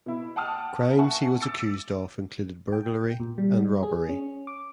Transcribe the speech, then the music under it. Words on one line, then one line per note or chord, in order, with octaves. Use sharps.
Crimes he was accused of included burglary and robbery.
B2 E4
F#5 G5 A5 D6 D#6 F6
E5 F#5 G#5 A5 C#6
D6 E6 A6 C#7
G5
A#2
G3
G#4
C#4
D6